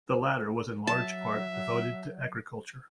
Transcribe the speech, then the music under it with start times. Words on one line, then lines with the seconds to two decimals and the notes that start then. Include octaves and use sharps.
The latter was in large part devoted to agriculture.
0.87 F#3 E5 A5